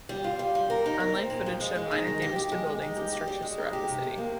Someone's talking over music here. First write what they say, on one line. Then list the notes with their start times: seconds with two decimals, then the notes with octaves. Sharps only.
Online footage showed minor damage to buildings and structures throughout the city.
0.09 G3
0.24 F4
0.39 G3
0.55 G3
0.70 A#4
0.86 D#4
1.00 A#4
1.15 C4
1.30 A#2
1.46 F3
1.60 G#3
1.75 G#3
1.91 D#4
2.07 D#3
2.22 G4
2.36 G4
2.52 G#3
2.67 G#3
2.82 D#4
2.96 G4
3.12 G4
3.27 G3
3.42 G#3
3.57 D#4
3.73 G4
3.87 C3
4.03 C3
4.18 A#3